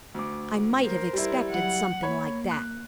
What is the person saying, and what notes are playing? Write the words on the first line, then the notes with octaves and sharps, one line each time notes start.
I might have expected something like that.
D2 D6
A#4 C5
G3 E4
F#3 F#5
A#3 C#5 B5
F#6